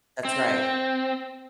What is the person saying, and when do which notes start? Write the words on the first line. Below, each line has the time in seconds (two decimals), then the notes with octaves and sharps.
That's right.
0.25 C4